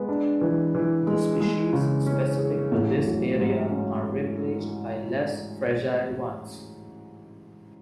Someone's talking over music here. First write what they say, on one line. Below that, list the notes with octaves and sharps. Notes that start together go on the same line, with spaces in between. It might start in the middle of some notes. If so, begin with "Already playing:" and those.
The species specific to this area are replaced by less fragile ones.
Already playing: G#3 B3
D4
E3
E3
G#3
G#3
C#3
C#4
G#4
A1
F#3
G#2
C#4